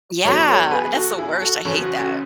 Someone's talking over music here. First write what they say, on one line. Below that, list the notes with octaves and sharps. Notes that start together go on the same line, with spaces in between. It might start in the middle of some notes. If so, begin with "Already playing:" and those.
Yeah. That's the worst, I hate that.
E2 B2 F#3 A4 C#5
A4 C#5
A4
G#4 B4
G#4
F#4 A4
E4 G#4
F#4 A4
F#1 F#2 C#3 E3 A4 C#5
F#4
F#4 A4